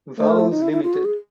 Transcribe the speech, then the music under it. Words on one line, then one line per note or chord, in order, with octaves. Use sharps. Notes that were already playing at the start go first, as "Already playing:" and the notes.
Vowles Ltd.
A3 C5
A#4
E4
D#4
E4
E4
F4
F#4
G#4